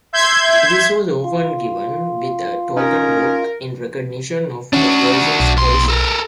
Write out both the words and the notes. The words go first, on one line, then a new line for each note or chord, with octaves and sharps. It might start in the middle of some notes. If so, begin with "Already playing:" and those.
This was often given with a token book in recognition of the person's scholarship.
E5 C6 G6 G#6
F4
C#4 D#4 A#4
D#3 C#4 D4 F#4
B1
D#2 C6
A4 A#4